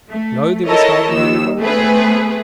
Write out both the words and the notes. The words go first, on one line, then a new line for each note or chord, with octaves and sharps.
No, there was hardly any one there.
A3
E4 A4 A#4 C#5 D#5 A5
D#2 D#3 E6
A3 B3 C4 G#4 B4